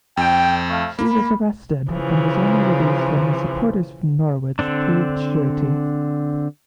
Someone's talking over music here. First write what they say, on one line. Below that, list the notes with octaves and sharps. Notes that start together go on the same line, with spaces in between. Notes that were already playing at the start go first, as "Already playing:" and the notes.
She was arrested and was only released when her supporters from Norwich proved surety.
F2 G5
A3 F5
A#3 B5
C#3 E3 F3
D3 C4 D4